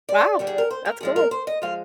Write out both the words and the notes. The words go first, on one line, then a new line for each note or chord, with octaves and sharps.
Wow, that's cool.
D5
D#2 D3 G3
G#4
A#4
C5
A#4
A#2 F3 G#3 G#4
A#4
C5
D#5
F3 G#3 F5